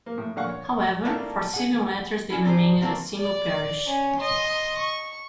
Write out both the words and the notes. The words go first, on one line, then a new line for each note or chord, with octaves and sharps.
However, for civil matters they remained a single parish.
A#3
A2
A#2 D3 F5 F#5 C#6
C#5
G3 A3 A#3 E4 F4 A#4
G#4 F#5
D3 C#4 E4
C4 D4 D#4 G4 G#4 C5
D3 A3 A#3 C4 F4 F#4
D5
C#4
D#5 C6
C#6